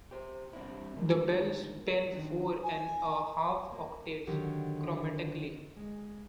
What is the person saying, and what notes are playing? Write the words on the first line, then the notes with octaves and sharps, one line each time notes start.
The bells span four and a half octaves chromatically.
G4 C5
G3 C4 D4 E4
G#2 D3 D#3 G3 A#3
D#3 D4
G#5
A#3
D3 D#3 F#3 G4
G#3